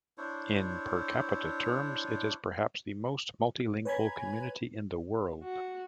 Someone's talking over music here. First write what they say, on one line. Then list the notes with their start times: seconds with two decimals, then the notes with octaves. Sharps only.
In per capita terms, it is perhaps the most multilingual community in the world.
0.18 D4 E4 C5 C#5
3.85 B4 C#5 G#5 A#5 B5 G#6
5.43 F#4